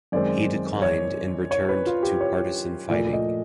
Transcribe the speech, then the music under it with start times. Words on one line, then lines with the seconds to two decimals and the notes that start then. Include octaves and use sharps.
He declined and returned to partisan fighting.
0.12 F#2 D#3 G#3 C4 D5
0.82 C#5
1.51 C#5
1.69 B4
1.86 F4
2.03 G4
2.21 C#5
2.90 A#2 F3 A3 D5
3.13 D#5